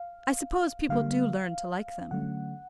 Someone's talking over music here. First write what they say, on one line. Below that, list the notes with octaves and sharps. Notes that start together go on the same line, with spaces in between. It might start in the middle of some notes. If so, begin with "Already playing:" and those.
I suppose people do learn to like them.
Already playing: F5
D3 G3 A#3 F5
D3 F#3 A3 C#4 F#5